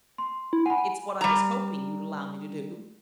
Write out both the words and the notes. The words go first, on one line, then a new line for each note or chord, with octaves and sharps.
It's what I was hoping you'd allow me to do.
C6
E4
F#5 G#5 B5
G#5
G3 A#5